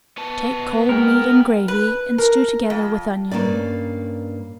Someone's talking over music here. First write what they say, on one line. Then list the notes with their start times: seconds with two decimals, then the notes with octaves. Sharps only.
Take cold meat and gravy and stew together with onion.
0.18 B3 A5
0.89 G#3 A#4 G5
1.68 B4
2.18 A#4
2.70 F2
3.31 G2 A#3 C#4 D5